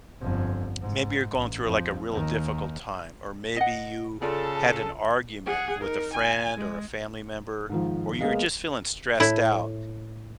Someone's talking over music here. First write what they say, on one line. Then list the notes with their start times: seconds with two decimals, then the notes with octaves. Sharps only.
maybe you're going through, like, a real difficult time, or maybe you had an argument with a friend or a family member, or you're just feeling stressed out
0.21 G1 F2
0.80 G#2
1.35 A1
1.64 F2
2.09 D#2 D#3
3.57 D#5 F#5
4.22 C#3 F4 A4 D5
5.46 G#4 F#5
5.81 D#4 A#4
6.13 G#5
6.57 G#3
7.70 G#2 D#3 F3
8.21 G#3 A#3 B3 G#4 D#5 F5
9.20 A2 E4